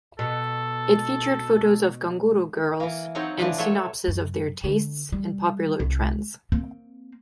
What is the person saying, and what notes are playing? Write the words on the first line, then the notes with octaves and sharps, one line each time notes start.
It featured photos of "ganguro" girls and synopses of their tastes and popular trends.
B2 A4
E3 A#3
F#3 C4 D#4 C#5 F#5
E3 F3 D4 B4
F#3 A3 F4 A4 C#5 E5
F#2
D3
G3
C2
A#3 C4